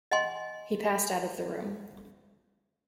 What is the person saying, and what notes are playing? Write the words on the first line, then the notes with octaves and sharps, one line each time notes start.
He passed out of the room.
D#5 F#5 G#5 C6